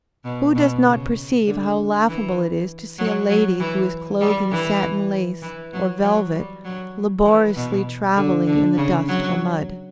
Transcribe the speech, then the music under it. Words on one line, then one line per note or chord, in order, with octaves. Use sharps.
Who does not perceive how laughable it is to see a lady who is clothed in satin lace, or velvet, laboriously travelling in the dust or mud.
B2
B2
C#3
D3
E3
F#3
F#3
E3
G3
E3
E3
F#3
F#3
G3
F#3
E3
B2
D3
D3
C#3
F#3